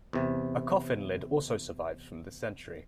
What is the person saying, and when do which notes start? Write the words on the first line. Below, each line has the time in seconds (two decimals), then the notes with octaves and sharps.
A coffin lid also survives from this century.
0.13 E2 C3